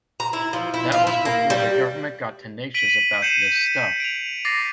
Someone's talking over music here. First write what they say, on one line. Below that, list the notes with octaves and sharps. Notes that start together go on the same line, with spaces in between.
That was before the government got tenacious about this stuff.
A#5
E4
F3
E4
F4
E4
A#3
G3
B6 D7 D#7 F#7
G6 C7 C#7 D#7 E7 F#7
D7 F7
D6 A6 A#6 C7